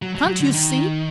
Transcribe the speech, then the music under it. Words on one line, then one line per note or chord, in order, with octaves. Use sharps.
"Can't you see?"
F#3
F#3
F#3
D3
D#3